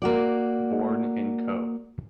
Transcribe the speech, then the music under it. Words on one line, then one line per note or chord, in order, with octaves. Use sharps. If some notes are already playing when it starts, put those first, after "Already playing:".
Born in Co.
A#3 F#4 D5